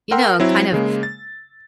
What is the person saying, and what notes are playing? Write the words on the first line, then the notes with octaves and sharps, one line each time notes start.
you know, kind of,
A#4 F#5 G5 C6 E6
F#3 C4 E4
C#3 G#3 A#3
A6